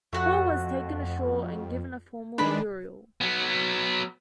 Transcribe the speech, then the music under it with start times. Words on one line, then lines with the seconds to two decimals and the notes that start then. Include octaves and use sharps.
Hall was taken ashore and given a formal burial.
0.13 F2 A3 F#4 F#5
2.38 D#3 G#3 D4 B4 B5
3.21 F#3 B3